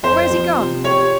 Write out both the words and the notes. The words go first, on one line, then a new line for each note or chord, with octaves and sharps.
Where's he gone?
F2 C5
F3
C3
G4 C#5